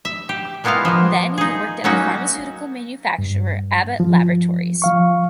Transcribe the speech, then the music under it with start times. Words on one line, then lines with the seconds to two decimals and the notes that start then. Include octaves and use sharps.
Then he worked at the pharmaceutical manufacturer Abbott Laboratories.
0.05 E5
0.29 G4
0.64 G#3 A#3 B3 E4 F4 F5
0.85 F3 A#3
1.38 D#4 G#4
1.84 F#3 A#3 C#4 D#4 F#4
3.18 G2
4.00 F3
4.82 F3 F5 C#6